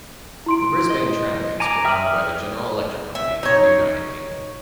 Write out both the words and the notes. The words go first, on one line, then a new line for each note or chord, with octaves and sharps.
The Brisbane tramways were owned by the General Electric Company of the United Kingdom.
E4 C6 D7
D#5
G#5 A#5 D6
E5 G5 D#6 F6 F#7
E5
D#4 C#5